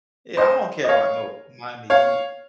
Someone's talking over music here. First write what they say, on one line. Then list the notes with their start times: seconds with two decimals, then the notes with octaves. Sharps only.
Yeah, I don't care about no Miami Heat.
0.37 C5 D#5
0.84 D#5
0.89 C#5 F5
1.90 C#5 F5